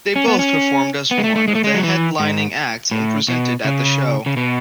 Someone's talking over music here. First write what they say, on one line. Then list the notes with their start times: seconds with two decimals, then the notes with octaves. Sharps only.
They both performed as one of the headlining acts and presented at the show.
0.16 C#4
0.28 B3
0.39 C#4
1.11 B3
1.18 G#3
1.24 A3
1.36 A3
1.48 G#3
1.55 A3
1.64 G#3
1.74 F#3
1.83 E3
2.20 G#2
2.91 A2
3.28 B2
3.65 C#3
4.26 C#3
4.37 B2